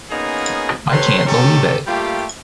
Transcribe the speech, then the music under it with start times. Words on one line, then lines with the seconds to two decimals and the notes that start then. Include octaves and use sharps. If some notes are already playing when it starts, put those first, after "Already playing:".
I can’t believe it!
0.10 A#3 B3 C#4 D#4 F4 G#4
0.90 C3 C4 A4 B4 C#5 C6
1.26 D#3 F#3 G#3 C#4 G4 A4
1.87 G3 A3 A#3 F4 G4